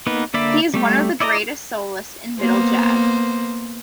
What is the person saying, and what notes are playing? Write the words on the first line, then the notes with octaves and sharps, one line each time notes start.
He is one of the greatest soloists in middle jazz.
A#3 B3 D#4 B4
D3 A#3 D5 E5 B5
G3 A3 G4
E4 D5 D#5 A5 A#5
A#3 B3 C5